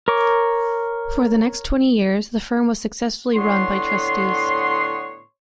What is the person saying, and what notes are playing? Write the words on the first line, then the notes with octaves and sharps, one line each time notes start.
For the next twenty years the firm was successfully run by trustees.
A#4 C#5 D6
A2 D3 B3 C#5 C6